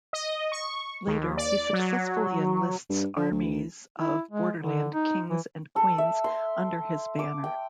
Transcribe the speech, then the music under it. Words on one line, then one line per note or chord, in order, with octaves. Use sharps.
Later, he successfully enlists armies of Borderland kings and queens under his banner.
D#5
C#6
D#2
D5
F#3
G2
D3
D2
E4
G#3
D3
D#4
E3
A4
E5
C6
D6
G5